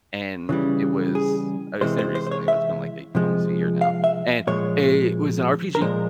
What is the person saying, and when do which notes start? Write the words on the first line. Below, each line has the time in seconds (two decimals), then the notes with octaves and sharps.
and it was I just said recently, but it's been, like, a almost a year now, and it was an RPG,
0.49 C#3 E3 G3
1.15 G#4
1.81 C3 E3 G#3 C5
1.99 C5
2.15 C5
2.27 C5
2.31 C#5
2.48 E5
3.15 C3 F3 G#3
3.81 F5
4.04 E5
4.47 A#2 F3 G#3 C#5
5.75 A#4
5.80 A#2 F3 G#3 C5